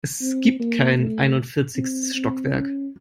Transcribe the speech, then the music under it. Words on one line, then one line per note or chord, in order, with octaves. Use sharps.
Es gibt kein einundvierzigstes Stockwerk.
C4
A#3
A3
C4
C4
C#4